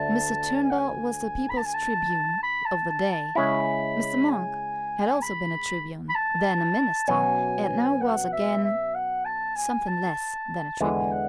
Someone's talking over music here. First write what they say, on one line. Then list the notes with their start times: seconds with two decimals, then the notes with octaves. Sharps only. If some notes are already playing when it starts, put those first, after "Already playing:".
Mr. Turnbull was the people's tribune, of the day; Mr. Monk had also been a tribune, then a Minister, and now was again--something less than a tribune.
Already playing: D2 D3 A5
0.56 A5
0.63 G#5
0.70 F#5
0.78 G#5
1.49 B5
1.58 A5
1.66 G#5
1.74 A5
2.43 B5
2.65 A5
2.89 A5
3.12 A5
3.35 C#3 G#3 C#4 E4 B5
4.29 G#5
5.22 B5
6.09 B5
6.15 A5
7.08 B2 F#3 C#4 G#5
8.01 F#5
8.32 E5
8.64 E5
8.95 F#5
9.25 A5
9.56 G#5
9.88 A5
10.80 E2 D3 G#3 B3 G#5
11.11 F#5